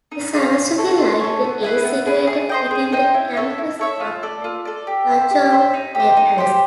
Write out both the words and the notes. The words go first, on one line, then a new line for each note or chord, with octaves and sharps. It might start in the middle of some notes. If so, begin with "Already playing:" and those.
The Saraswati Library is situated within the campus of the Thanjavur Palace.
D#4
G#4 C5 F5
F4
A4 C#5
F4
A4 C#5
B3
E4 G#4 B4
B3
E4 G#4 B4
G#4
C5 D#5 G5
G#4
C5 D#5 G5
E4
A4 C#5 E5
E4
A4 C#5 E5
F4
A4 D5
F4
A4 D5
G4
C5 E5
G4
C5 E5
D#4
G4
C5
D#4
G4 C5